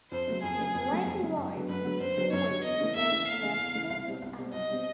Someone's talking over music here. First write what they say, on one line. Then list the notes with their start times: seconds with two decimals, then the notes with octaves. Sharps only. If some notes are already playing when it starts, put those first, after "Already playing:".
In his later life he was always referred to as Colonel Allen.
0.11 F2 C5
0.27 C#3 F#3 A3
0.43 F2 G#4
0.58 C#3 F#3 A3
0.75 F2
0.90 C#3 F#3 A3
1.06 F2
1.22 C#3 F#3 A3
1.37 F#2
1.53 D3 F#3 B3
1.69 F#2 B4
1.85 D3 F#3 B3
2.00 F#2 C5
2.17 D3 F#3 B3
2.33 F#2 C#5
2.48 D3 F#3 B3
2.64 E2 D#5
2.80 C#3 E3 A3
2.96 E2 E5
3.11 C#3 E3 A3
3.27 E2 F5
3.43 C#3 E3 A3
3.59 E2
3.75 C#3 E3 A3
3.90 C2
4.06 B2 G3 C4
4.22 C2
4.38 B2 G3 C4
4.53 C2 D#5
4.70 B2 G3 C4